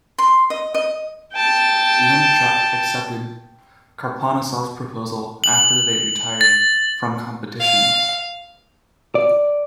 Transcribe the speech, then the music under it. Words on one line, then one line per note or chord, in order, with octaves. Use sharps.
Linichuk accepted Karponosov's proposal after they retired from competition.
C6
D#5
D#5
G5 A5
F#7
A6
F5
D5